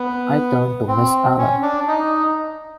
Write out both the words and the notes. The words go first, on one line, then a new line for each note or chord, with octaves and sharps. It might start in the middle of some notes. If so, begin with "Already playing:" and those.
I turned to Miss Allen.
Already playing: B3
C4
C#4
D4
D#4